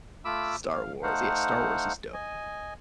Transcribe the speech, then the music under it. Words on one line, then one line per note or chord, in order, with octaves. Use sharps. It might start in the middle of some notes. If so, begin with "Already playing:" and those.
Star Wars, yeah Star Wars is dope.
A3 F4 B5 D6 E6
F5
A3 D#4 C5 F5 F#5
D#5 G#5